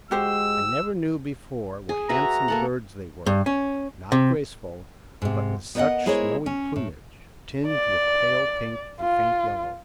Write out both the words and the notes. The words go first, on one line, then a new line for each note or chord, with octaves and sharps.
I never knew before what handsome birds they were; not graceful, but with such snowy plumage, tinged with pale pink and faint yellow.
G#3 F#4 G4 C5 E6
G#4
F#4 B4 E5 A#5
A#3 A4 F#5
G2
C#4
C3
G#2 C3
B3 A#4 C5 D5 D#5 F#5
G#3 E4 G#4 A#4 C5 C#5
C#4
A2
D5
F4